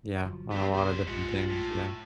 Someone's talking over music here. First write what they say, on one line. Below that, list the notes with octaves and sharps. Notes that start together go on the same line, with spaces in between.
Yeah, on a lotta different things, yeah.
G1 F3 F#3
B3 C4 G4
C2 A2 A3 B3 C5
A#1 G#2 G#3 F4 F#5
A2